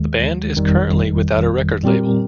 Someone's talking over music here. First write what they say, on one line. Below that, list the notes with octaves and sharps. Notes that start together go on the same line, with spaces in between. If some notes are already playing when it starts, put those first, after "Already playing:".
The band is currently without a record label.
Already playing: D#2 D#3 G#3
G1 F2 D#3 G3
A#2 G3 C4 G4 A#4